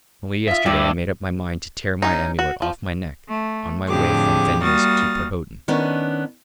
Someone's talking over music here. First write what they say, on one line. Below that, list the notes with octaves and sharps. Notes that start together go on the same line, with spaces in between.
And only yesterday I made up my mind to tear my amulet off my neck, on my way from Fenya's to Perhotin.
F4 D#5 E5
G2 E4 G4 D5
C#4 D#4
F#4
F3
A3
F2 A2 D3 G4 G#4 D6
G3 A#3 F#4 D#6 F6 A6
D#3 B3 C#4 D4